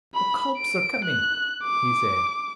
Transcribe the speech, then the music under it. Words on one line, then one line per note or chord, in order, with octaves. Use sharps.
'The cobs are coming!' he said.
B5
D7
F#6
D6